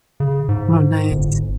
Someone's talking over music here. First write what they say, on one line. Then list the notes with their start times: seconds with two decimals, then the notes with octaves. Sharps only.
Oh, nice.
0.20 C#3
0.49 G#2
1.11 G1